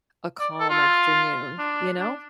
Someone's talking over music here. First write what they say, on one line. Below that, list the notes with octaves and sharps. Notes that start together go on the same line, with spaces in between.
a calm afternoon, you know?
D5
A4
F4
D4
D4